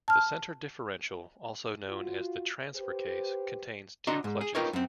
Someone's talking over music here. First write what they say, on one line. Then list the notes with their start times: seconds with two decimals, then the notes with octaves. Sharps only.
The centre differential, also known as the transfer case, contains two clutches.
0.08 A5 F6
1.88 F4 F#4
2.75 G4 B4 C5
4.07 D4 F#4 D#5 A#5 C6
4.24 G#2
4.41 G#4
4.55 D#4 F4 G4 A#4 B4 C#5
4.73 F#2 C4